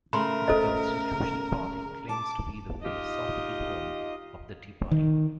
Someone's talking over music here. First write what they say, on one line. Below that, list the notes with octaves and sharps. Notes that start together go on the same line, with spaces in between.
The Constitution Party claims to be the "philosophical home" of the Tea Party.
C#3 A3 A#4 B5 C6
A4 C5 D#5
A5 D6
D#4 F4 G4 D#5
D#3